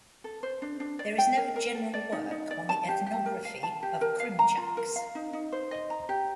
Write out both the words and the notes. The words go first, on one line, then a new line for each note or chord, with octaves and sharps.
There is no general work on the ethnography of Krymchaks.
A4
C5
D4
D4
D5
G5
A#4
A#4
A4
D5
D#4
D#4
D5
A5
G4
G4
A#4
F5
A5
G4
A#4
F5
A#5
F4
A#4
F5
D#4
D#4
C5
D#5
A#5
G4